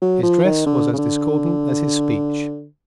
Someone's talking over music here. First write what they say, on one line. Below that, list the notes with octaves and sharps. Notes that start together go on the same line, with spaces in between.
His dress was as discordant as his speech.
F#3
F3
D#3
D3
C#3
D3